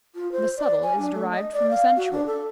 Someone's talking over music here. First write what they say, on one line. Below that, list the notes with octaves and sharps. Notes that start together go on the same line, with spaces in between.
The subtile is derived from the sensual.
F4
C5
D5
G#5
D4
A3
D#5
D5
F5
F#4
D4
A4